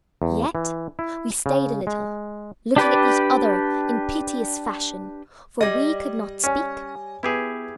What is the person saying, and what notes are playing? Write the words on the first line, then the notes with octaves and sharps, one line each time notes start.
Yet we stayed a little, looking at each other in piteous fashion, for we could not speak.
E2
E3
E4
C#3
G#3
D4 G4 B4 D5
G3 D#5 G#6 A#6
C#4 C#5 D5 G#5
B3 E4 G4 G#4 B4 G#6